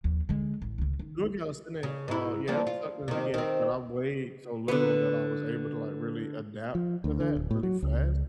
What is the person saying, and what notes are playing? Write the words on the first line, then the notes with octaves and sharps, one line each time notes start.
doing calisthenics, uh, yeah, it sucked in the beginning, but I weighed so little that I was able to, like, really adapt to that really fast,
D#2 F3
D3 G#3
A1
C#2 C#3
D#3
C#3
G#2 E4
F3 G3 A#3
F4
C3 D#3
D#3 C4
D3 B3
F3
D2
D3
D1
A2
F#3
C#2